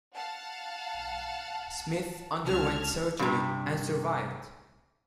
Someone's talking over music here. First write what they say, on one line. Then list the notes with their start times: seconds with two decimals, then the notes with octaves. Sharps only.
Smith underwent surgery and survived.
0.15 F5 F#5 A5
2.43 C#2 A5 F6 G#6
3.19 G2 C3